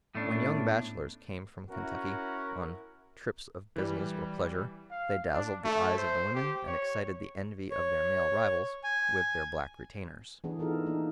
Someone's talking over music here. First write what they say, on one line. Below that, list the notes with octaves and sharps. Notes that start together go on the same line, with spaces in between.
When young bachelors came from Kentucky on trips of business or pleasure, they dazzled the eyes of the women and excited the envy of their male rivals with their black retainers.
A2 A3 B3 C#4 D4
C#4 E4 F#4 A#4
E3 G3
F5
D4
A3
C5
G4
C#5
C#5
G#5
E3 B3 D4 G#4
D#4 F4 A4 A#4
A#3 D4 D#4